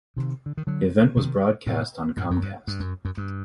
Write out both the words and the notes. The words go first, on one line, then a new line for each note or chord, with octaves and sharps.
The event was broadcast on Comcast.
C3 D#3
D3
D#3
D3 F#3
C3 D#3
A2 C3
F#2 A2
F#2
G2
G2
F#2
F#2
G2